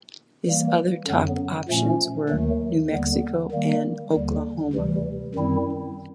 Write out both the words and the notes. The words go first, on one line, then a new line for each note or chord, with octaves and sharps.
His other top options were New Mexico and Oklahoma.
E3 G3 A#3
F#2 D3 F#3 B3
A#2 F3 A3 C#4
D#2 D#3 F#3 A3
D#2 D3 G3 B3
D#3 G3 A#3
D#2 D3 G3
D2 C3 E3 G3
F#2 D#3 G3 C4 E4